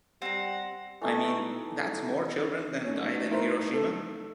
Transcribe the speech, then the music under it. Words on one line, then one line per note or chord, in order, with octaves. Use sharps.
I mean, that's more children than died in Hiroshima.
G3 C4 F#5 A#5
E3 A3 D#4
A3 C#4 D#4
E4 A#4 C5
A4